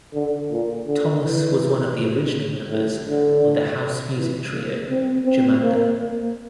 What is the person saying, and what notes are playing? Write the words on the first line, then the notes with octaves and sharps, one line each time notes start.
Thomas was one of the original members of the house music trio, Jomanda.
D3
A#2
D3
E3
A2
D3
E3
A#3
C4
C4
A#3
A#3